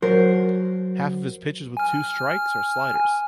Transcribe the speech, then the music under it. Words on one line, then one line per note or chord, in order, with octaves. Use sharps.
Half of his pitches with two strikes are sliders.
F#3 A#4 C5
G#5 F6